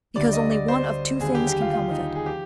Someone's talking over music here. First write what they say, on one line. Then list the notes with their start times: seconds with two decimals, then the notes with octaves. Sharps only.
"Because only one of two things can come of it."
0.15 D2 D3 G3 D5
0.33 D#5
0.51 D5
0.68 C5
1.21 D#2 D3 G3 G#4
1.35 G4
1.47 G4
1.61 F4
1.73 F4
1.91 D#4
2.16 G#4
2.26 F3 G4